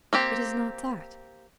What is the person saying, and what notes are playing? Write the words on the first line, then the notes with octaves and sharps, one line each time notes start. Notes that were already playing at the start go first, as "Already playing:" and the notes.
"It is not that."
A#3 C4 G4